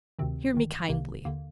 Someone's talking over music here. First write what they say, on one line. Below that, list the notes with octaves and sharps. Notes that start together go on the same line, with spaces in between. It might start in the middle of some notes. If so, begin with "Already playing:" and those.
Hear me kindly!
D2 C3 D#3 C4
G1 G2 D#3
C2 C3 D#3 A#3
D#2 D3 A#3